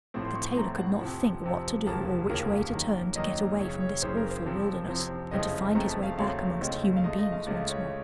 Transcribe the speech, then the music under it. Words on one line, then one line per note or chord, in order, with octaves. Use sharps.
The tailor could not think what to do or which way to turn to get away from this awful wilderness, and to find his way back amongst human beings once more.
A1 A2 F3 A3 C4
C6
C#6
C6
A1 A2 F3 A3 C4 A#5
F#5
F2 C3 F3
F2 C3 F3
F1 D#2 C#3 F3 A#3 A5
F1 D#2 C#3 F3 A#3 A#4
F#2 D#3 A#3
F#2 D#3 A#3 D#5
F#1 F#2 C#3 C#5
C#5
F#1 F#2 C#3 C5
A#4
C5
F2 C3 F3 C4
F2 C3 F3 C4
F#1 F2 C#3 A3 C4 D#5
F#1 F2 C#3 A3 C4 A#5
A5
F5
D#2 C#3 F#3 A3 C4 F5
D#2 C#3 F#3 A3 C4 D#5
F5
C#2 C#3 A3 D#5
D#5
F5
C#2 C#3 A3 D#5
C#5